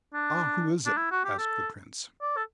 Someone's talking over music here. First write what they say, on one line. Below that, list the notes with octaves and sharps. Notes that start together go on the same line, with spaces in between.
"Ah! who is it?" asked the Prince.
D4
D4
E4
F#4
G4
A4
D5
A4